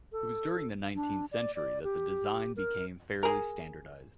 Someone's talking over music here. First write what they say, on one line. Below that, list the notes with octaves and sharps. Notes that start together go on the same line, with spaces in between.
It was during the nineteenth century that the design became fairly standardized.
A4
D4
D5
D5
G4
A#4
G#4 A#4